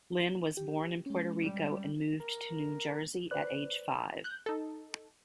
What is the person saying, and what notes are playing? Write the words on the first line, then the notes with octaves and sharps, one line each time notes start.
Lynn was born in Puerto Rico and moved to New Jersey at age five.
G4
G#3 C#4
G3
A#4
B4 C5 D5 F#6
F#6 G6
D#4 A4